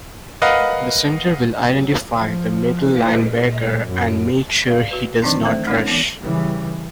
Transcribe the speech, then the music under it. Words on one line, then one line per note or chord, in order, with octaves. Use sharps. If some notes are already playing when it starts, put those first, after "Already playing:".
The center will identify the middle linebacker and make sure he does not rush.
A#4 B4 D#5 F5 F#5
F3
A#2
A#2
F#2
D5 F5
F#4 B4
D#3 E3 F#3 C4 D4 D#4
A3 A4 C5 E5
G#3 C#4 D#4 F4 A#4 C#5
E3 B3
C#3 E3 G3